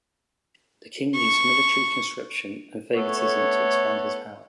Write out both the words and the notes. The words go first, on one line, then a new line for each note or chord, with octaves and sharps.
The king used military conscription and favoritism to expand his power.
C#6
A3 B3 A4 C#5